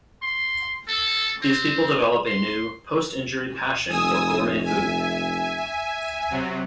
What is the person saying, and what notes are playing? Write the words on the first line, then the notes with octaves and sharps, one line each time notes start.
These people develop a new, post-injury passion for gourmet food.
C6
A4
C4
C6
F1 G#5 D#6 E6
E5 G#5
C3 F#3